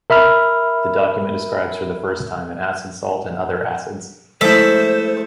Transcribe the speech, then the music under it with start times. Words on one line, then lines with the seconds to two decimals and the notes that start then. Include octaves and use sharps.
The document describes, for the first time, an acid salt and other acids.
0.10 A#4 E5 B5 F6
4.41 G#3 A3 E4 A4 C5 E5